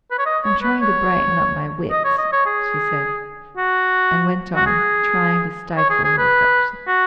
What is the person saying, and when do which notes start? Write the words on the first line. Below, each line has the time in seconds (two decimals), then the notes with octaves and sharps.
"I'm trying to brighten up my wits," she said, and went on trying to stifle her affections.
0.11 B4
0.19 C#5
0.26 D#5
0.45 C#5
0.63 B4
0.81 C#5
1.91 D#5
2.05 C#5
2.18 D#5
2.33 C#5
2.46 G#4
3.57 F#4
4.56 F#4
4.66 G#4
5.77 C#5
5.90 G#4
6.04 G#4
6.18 B4
6.87 F#4